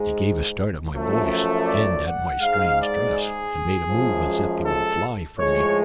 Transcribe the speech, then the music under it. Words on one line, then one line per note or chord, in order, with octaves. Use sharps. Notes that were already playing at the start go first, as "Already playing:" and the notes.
They gave a start at my voice and at my strange dress, and made a move as if they would fly from me.
Already playing: G#2 G#3
F#2 F3 A3
D5
F#5
G#2 G#3 F5
D5
G#4
F#2 F3 G#3
A4
A2 F3 G#3 C#5